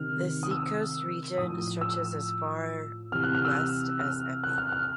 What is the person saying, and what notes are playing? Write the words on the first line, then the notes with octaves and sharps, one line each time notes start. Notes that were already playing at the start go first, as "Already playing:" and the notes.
The Seacoast Region stretches as far west as Epping.
Already playing: C3 D#3 F6
D#6
E6
A2 F3 D#6
E6
C3 E3 F6
F#6
F6
E6
F6
F#6
F6
F6